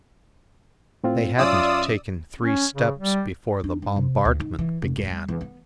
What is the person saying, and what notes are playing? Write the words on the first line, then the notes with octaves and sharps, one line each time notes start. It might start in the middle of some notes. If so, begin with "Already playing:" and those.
They hadn't taken three steps before the bombardment began.
A2 C4 F4
F#2 C#4 F4 D5 E5 D#6 E6
C#4
C#3
G3
D4
G2
C3
D2
D#3
E3
F1
E1
G3
E2
B3